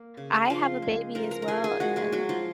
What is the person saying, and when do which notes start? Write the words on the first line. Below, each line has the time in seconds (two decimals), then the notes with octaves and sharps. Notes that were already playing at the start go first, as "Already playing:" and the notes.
I have a baby as well, and
Already playing: A#3
0.17 C#3
0.50 F3 F4 F5
0.82 G#3
1.15 F3 A#4 A#5
1.31 A#4 A#5
1.42 A#5
1.48 F3 G#4 G#5
1.64 G#4 G#5
1.80 F3 F#4 F#5
1.96 G#3 G#4
2.12 F#3 G#3 F#4
2.29 F3 F4